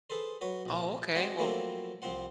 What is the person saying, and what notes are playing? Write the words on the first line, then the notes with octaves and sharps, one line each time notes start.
Oh, okay. Well
G#4 A4 B4 C5
F#3 B4 C#5
A#1 C3
G#3 C4 F#4 D5 D#5
F3 F#3 A3 A#3 C4 E4
C2 F3 C4 C5 F#5